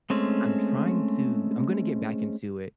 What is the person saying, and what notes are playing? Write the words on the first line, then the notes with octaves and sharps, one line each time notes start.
I'm trying to I'm gonna get back into it,
G#3 A3 C4 C#4